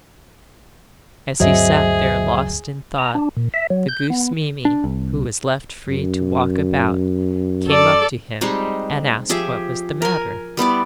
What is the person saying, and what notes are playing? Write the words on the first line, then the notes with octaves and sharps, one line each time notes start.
As he sat there lost in thought the goose Mimi, who was left free to walk about, came up to him and asked what was the matter?
D2 G2 F#3 C4 G#4 C5 D#5 E5
A#5
D4
A#2
E5
F#3
G6
B3
D4
C2
F#2
A4 D5
G3 G#3 C4 D#4
F3 G4 G#4 E5
A#4 G#5
G3 B3 E4 D5